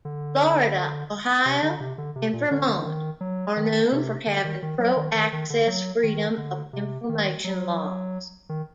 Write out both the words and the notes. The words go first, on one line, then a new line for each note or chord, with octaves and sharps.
Florida, Ohio, and Vermont are known for having pro-access freedom of information laws.
D3
C3
D3
C3
D3
C3
A#2
D3
D3
D#3
F#3
D#3
C3
D3
D#3
D#3
F#3
D#3
D#3
D#3
D3
F#3
D#3
D3
C3
D#3
F#3
D#3